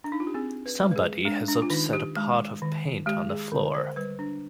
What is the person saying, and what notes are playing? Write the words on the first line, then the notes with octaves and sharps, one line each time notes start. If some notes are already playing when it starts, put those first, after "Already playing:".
Somebody has upset a pot of paint on the floor.
D4
D#4
F4
G4
C4 G#4
B4
G#3
B4
G#4
G#3 D4
D4
F4
D#3 D#4
G4
G#3
D#3
G#3 G4
G#4
D3
C5
G3 B4
D4